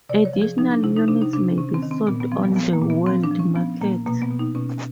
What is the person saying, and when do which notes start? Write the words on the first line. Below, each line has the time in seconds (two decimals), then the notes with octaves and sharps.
Additional units may be sold on the world market.
0.09 C3 D5
0.25 C#5
0.33 F3
0.42 G#4
0.58 F3 D#4
0.71 D4
0.83 C3 E4
0.96 D#4
1.08 C3 D4
1.22 D#4
1.33 C3 D4
1.58 C3 C#4
1.74 C4
1.83 D#3
1.91 C4
2.07 A#2 B3
2.20 B3
2.32 F3 C4
2.45 B3
2.56 F3 B3
2.73 A#3
2.82 A#2
2.90 B3
3.06 F3 C4
3.23 D4
3.31 F3
3.39 C#4
3.56 F3 B3
3.81 A#2 A#3
4.06 B2 A#3
4.22 B3
4.31 B2
4.39 D#4
4.55 B2 C#4